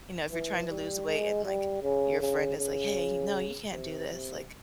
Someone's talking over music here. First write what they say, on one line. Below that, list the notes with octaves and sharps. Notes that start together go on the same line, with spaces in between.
you know, if you're trying to lose weight, and, like, your friend is, like, "Hey, y no, you can't do this," like,
E3
G3
G#3
G3
C#3
C#3
C#3
C3
C3